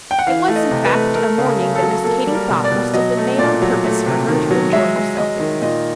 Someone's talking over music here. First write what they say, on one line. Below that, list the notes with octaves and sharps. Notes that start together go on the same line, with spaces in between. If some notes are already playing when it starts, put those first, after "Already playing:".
It was, in fact, a morning that Miss Katy thought must have been made on purpose for her to enjoy herself in.
G5
F#5
E3 F5
A3
D#5
C3
B4
A3
A3 A#4
C#3
A#4
C#3
A4
F#3
A#3 A4
G3
A#4
B2
D5
B2
F#3 D#5
A3
A#2 D5
F#3
A3
C3
D#3
F#3
G#3 E5
G#3
G#3 D#5
D#3
A#2 D#5